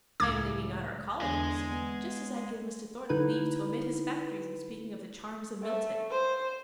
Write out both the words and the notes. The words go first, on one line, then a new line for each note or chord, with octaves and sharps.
I am leaving out our colleges, just as I give Mr. Thornton leave to omit his factories in speaking of the charms of Milton.
C#2 A2 D6 G#6
E2 D3 G#3 G#5
B3
D3 D#4 E4 B4 B5
A3
C5